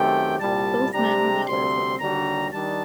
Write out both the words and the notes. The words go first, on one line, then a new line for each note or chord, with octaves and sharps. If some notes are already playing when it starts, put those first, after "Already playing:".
Both men were later acquitted.
Already playing: F#2 D#3 A3 C4 G4 G5
C2 A#2 G3 A5
C3 G3 D4 G4 A#5
D2 C3 G3 C4 C6
D#2 D3 G3 D4 F#4 A#5
D#3 G3 D4 A5